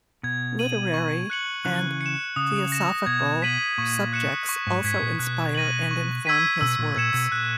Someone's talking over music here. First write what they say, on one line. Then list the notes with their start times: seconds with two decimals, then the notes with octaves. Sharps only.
Literary and theosophical subjects also inspire and inform his works.
0.23 B2 G#6
0.59 D#7 F#7
0.94 C#6
1.30 F#6 C#7 F#7
1.65 C#3 E3 F#6
2.01 C#7
2.06 E7
2.36 C#3 D#6
2.72 A#6 E7
3.06 B2 G#6
3.42 B6 D#7 F#7
3.78 A#2 C#6
4.13 F#6 C#7 E7
4.49 C#6
4.67 G#2
4.84 G#2 G#6 B6
5.02 A#2
5.19 B2 F#6
5.55 A#6 D#7 F#7
5.91 C#6
6.26 E6 G#6 B6 D#7
6.61 B2 E6
6.79 A#2
6.96 A#2 G#6 C#7 E7
7.14 B2
7.32 A#2 F#6